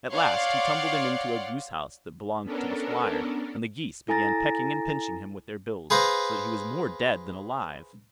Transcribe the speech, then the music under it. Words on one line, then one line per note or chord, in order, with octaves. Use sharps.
At last he tumbled him into a goose-house that belonged to the Squire, and the geese began pecking and pinching him with their bills, so that he was more dead than alive.
C#5 D5 F5 F#5 C6
B3 C#4 D4 A4 A#4
E4 A4 G#5 A#5 A6 A#6
G#4 B4 C5 F5 A#5